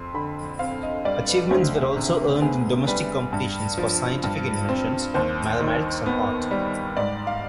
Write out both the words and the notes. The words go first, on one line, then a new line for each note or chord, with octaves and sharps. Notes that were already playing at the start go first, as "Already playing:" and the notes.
Achievements were also earned in domestic competitions for scientific inventions, mathematics and art.
Already playing: F2 C6
D3 B5
C4 F5
D#5
G3 D5
B4
D2 C5
C3
B3 G#4
G3 B4
G2
F3
G2
C4
D#2 C5
D#3
B3
G3
G#2 D5
F5